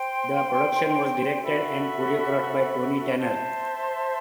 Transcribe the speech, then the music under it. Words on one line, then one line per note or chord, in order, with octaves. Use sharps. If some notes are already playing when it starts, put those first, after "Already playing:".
The production was directed and choreographed by Tony Tanner.
Already playing: C5 G5 C6
F#4 A4 E5 B5
C5 E5 A5 C6